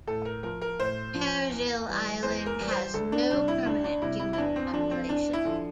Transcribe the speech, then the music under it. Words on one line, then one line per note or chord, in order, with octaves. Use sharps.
Perejil Island has no permanent human population.
A2 A4
A#4
F3 A#4
A#4
A2 C5
F3
E2
E3 G3
E2 C5
A#4
E3 G3
C5
D2 A4
D4
C3 G3 D4
E4
D2 D4
D4
C3 G3 E4
E4
E4
E2 D4
C4
D3 F3 D4
C4
E2 D4
E4
D3 F3